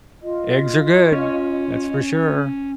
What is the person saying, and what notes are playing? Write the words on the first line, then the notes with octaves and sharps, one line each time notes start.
Eggs are good, that's for sure.
F4 D#5
C#4